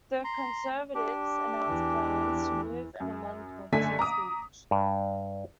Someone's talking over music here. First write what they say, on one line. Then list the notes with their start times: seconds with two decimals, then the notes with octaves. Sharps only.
The Conservatives announced plans to move an amendment to the speech.
0.24 A#5 C6
0.95 D4 G4
1.68 E2 E3
3.00 F#2
3.72 F#1 D3 A3 G#5 B6
3.99 A#5 D6 D#6
4.71 G2